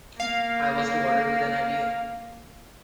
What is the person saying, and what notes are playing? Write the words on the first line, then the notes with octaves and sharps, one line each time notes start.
I was rewarded with an idea.
A#3 F5